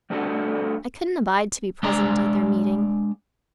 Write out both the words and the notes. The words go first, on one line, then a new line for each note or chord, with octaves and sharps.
I couldn't abide to be present at their meeting.
G3 A3 D4 F#4 A4
G#3 D4 D5 A#5